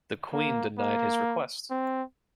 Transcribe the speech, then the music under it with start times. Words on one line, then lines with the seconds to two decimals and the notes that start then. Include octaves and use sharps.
The Queen denied his request.
0.33 A#3
0.78 A#3
1.70 C4